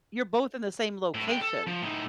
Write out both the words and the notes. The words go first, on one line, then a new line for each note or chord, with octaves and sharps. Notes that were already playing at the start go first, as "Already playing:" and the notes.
You're both in the same location.
A2
G#3 G5
A4
F3
A2 D#4